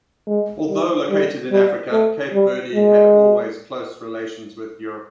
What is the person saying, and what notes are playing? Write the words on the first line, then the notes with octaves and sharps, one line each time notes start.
Although located in Africa, Cape Verde had always close relations with Europe.
G#3
G3
G3
G3
A3
G3
G#3